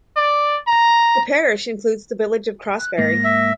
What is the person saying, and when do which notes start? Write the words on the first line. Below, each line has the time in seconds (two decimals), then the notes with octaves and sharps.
The Parish includes the village of Crossbarry.
0.16 D5
0.67 A#5
2.79 F#6
2.99 G#2 A#3 A#6
3.24 E5